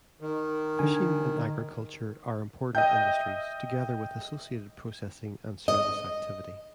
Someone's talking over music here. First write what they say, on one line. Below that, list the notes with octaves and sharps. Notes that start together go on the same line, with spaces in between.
Fishing and agriculture are important industries, together with associated processing and service activity.
D#3
D3 G#5
D#5 E5 G5 G6
D#5